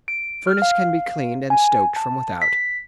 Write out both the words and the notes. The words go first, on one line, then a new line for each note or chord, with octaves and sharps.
The furnace can be cleaned and stoked from without.
D7
F6
F5
G#5
A5
B6